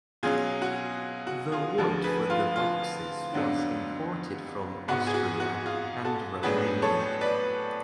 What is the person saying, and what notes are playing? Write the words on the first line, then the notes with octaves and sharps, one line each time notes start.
The wood for the boxes was imported from Austria and Romania.
B2 F#3 C#4 F4 G#4
F#4
F#4
F4 G#4
D2 D3 F3 F#4 A4
G#4 B4
F4
F4
F2 D3 F#3 B3 D4
G#2 G#3 B3 F#4
G#4
F#4
F#4
F4 G#4
F#4 A4
A2 F#3 B3 D4 G#4 B4
A4 C#5
B4 D5